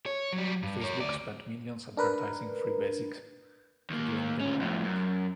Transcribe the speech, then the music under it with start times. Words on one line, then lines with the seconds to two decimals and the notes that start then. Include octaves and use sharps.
Facebook spent millions advertising Free Basics to the Indian public.
0.06 C#5
0.33 F#3 G3
0.63 G2
0.81 A#4 C#5
1.00 D2 D5
1.97 D4 A#4 B4
3.90 D#2 A#3
4.40 D2 C#4
4.61 F2 A2
4.85 F#2